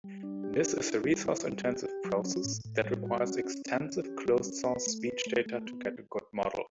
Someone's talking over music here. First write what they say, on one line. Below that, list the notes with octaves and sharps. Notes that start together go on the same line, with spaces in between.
This is a resource-intensive process that requires expensive closed-source speech data to get a good model.
G3
D4
G4
D4
E4
G3
E4
G3
G4
G4
F#3
C#4
A2
A2
G3
F#4
C#4
C#4
C#4
C#4
G4
G3
C#4
B4
A3
B4
A3
A3
B3